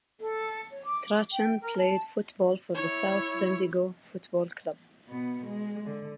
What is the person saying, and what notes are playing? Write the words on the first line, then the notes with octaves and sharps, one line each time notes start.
Strachan played football for the South Bendigo Football Club.
A4
C#5
D6
G5
A#4
A5
E4 C#5
B2 B3
G#3
D3